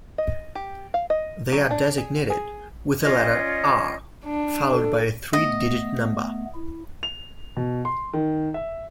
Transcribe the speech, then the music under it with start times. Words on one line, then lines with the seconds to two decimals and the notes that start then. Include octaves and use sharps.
They are designated with the letter "R" followed by a three-digit number.
0.18 D#5
0.55 G4
0.94 F5
1.10 D#5
1.52 F#3
1.71 D4
1.98 G#4
2.30 G#4
3.02 C#4 F4 D5 D#5
4.26 D4
4.72 A4
5.33 A3 B3 D#5
6.54 E4
7.03 F7
7.57 B2
7.85 C6
8.13 D#3
8.54 E5